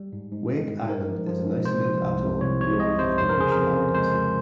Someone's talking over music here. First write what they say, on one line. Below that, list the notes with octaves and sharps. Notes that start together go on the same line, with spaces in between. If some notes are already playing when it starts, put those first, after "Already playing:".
Wake Island is an isolated atoll north of the Marshall Islands.
Already playing: G3
G#2
G#2
G#3
G#2
G#2 A#4
F3
F3
G#2
C3 C5
F3
C2
C3
C2 C#5
C3 C#5
C3 D#5
C3 C5
F2 C5
A#4
C#3 G#4
F2 A#4
C#3
G#3 C5
F3